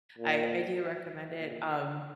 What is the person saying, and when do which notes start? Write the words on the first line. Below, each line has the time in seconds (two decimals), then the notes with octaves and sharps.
I I do recommend it, um,
0.18 A#2
1.38 A#2